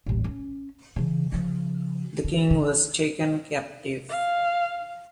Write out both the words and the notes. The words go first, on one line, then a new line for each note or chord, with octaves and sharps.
The king was taken captive.
D#1 A1
C#4
C#3 E3
C#3 F3
D3
D3
F5